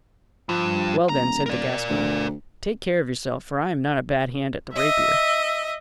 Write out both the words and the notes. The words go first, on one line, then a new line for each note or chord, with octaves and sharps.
"Well, then," said the Gascon, "take care of yourself, for I am not a bad hand at the rapier."
G2 F3
D#1 A#5
A#4 D5
D2
D#5 E5